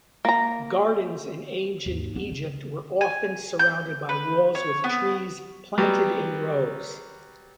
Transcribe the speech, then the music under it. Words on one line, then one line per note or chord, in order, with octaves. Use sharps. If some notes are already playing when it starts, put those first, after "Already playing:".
Gardens in ancient Egypt were often surrounded by walls with trees planted in rows.
A#3 A#5
D#2 G#2
B3 C4
C#3
G#5
G6
B4
C#5
B3
F#3 G3 B3